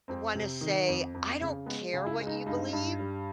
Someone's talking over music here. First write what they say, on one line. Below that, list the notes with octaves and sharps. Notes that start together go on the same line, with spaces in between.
wanna say, "I don't care what you believe."
F2 C4
C3
D#3
F2
F2
C#3
G#3 B3
C#2
E4
G#3
D#4
G2 D#4
G2
G3